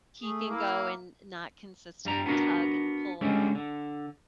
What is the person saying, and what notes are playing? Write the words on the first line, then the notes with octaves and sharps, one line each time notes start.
h he can go and not consistently tug and pull,
A3 G#4
A#3 E4
G2 G3 A#5
B3 D4 F#4 A#4
D3 G3 G#3 C#4
D3